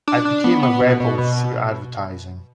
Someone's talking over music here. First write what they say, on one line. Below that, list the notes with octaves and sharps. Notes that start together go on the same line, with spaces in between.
I became a rebel through advertising.
D4
D4
B3
B3
B2
B2
B2